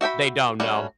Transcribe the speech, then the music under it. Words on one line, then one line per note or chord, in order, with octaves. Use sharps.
They don't know.
F#4 E5 G5 B5
G3 A3 C#4 F#4